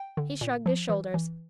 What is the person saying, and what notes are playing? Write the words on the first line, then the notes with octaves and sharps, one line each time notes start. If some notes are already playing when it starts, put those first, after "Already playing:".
He shrugged his shoulders.
Already playing: G5
D3
A#2
F3
E3
E3